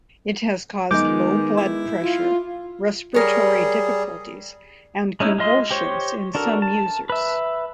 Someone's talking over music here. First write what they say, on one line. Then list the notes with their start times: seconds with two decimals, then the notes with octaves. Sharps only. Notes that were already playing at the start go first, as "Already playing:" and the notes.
It has caused low blood pressure, respiratory difficulties, and convulsions in some users.
0.91 D#3 G#3 B3 D#4 D6 G6
1.58 E4
2.03 F4
3.14 G3 G#4 A#4 C#5
5.20 G#3 C#4 D#4 E4
5.38 G#3 F4 D#5 C6
5.71 G4 C5 C#5
6.35 D4 F#4 A4 A#4
6.62 A5
7.10 B4 E5